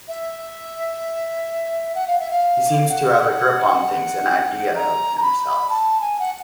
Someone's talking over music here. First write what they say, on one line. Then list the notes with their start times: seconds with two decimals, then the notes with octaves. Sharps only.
He seems to have a grip on things, an idea of himself.
0.08 E5
1.95 F#5
2.07 F5
2.20 E5
2.31 F5
2.89 F#5
4.76 A#5
5.18 A#5
5.22 B5
5.70 A5
6.01 G#5
6.19 F#5